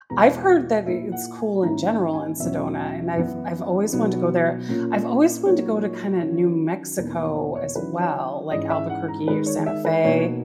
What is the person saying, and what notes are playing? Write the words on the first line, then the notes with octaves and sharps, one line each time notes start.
I've heard that it it's cool in general in Sedona, and I've I've always wanted to go there. I've always want to go to, kinda, New Mexico as well, like Albuquerque or Santa Fe,
E2 B2 G#3 B3 A#5
F#5
A#2 A#3 E4 E5
F#5
G#5
G#2 D#3 A#3 C#4 E4 A#5
G#5
E2 B2 F#3 C#4 E5
F#2 E3 B3 E4
B2 F#3 B3 D#4
A#2 A#3 C#4
A#2 F#3 A#3 D#4 C#5
D#3 F#3 C#4
E2 B2 A#3 D#4 B4
C#5
C#5
D#3 F#3 C#4 E4 B4
C#5
G#2 E3 G#3 C#4 D#5
E5
F#5
A#5
D#3 G#3 D#4 B4
C#5
E5
B4
B2 A#3 D#4 C#5